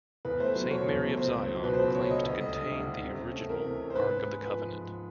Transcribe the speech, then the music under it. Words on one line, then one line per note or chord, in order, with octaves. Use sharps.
Saint Mary of Zion claims to contain the original Ark of the Covenant.
E2 B4
A3 C5
F#3
B2 C#5
E2
A3
C#2 C5
C#2
F#3
B2 B4
C5
C#2 B4
C#2 C#5
D2 D#5
D2 D#5
G3 D#5
D3
D2
D2
C3
C#4
A3
E3 A#4
C3
C#4
C5
G#2 B4
G#2
G#3
F3 B4
G#2
G#2